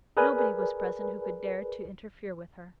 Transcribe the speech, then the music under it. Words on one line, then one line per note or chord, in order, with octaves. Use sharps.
Nobody was present who could dare to interfere with her.
G#4 A#4 B4 D5 G#5